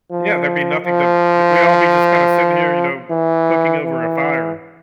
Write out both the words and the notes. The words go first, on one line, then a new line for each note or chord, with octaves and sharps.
Yeah, there'd be nothing to d we all be just kinda sitting here, you know, cooking over a fire.
F3
F3
E3
E3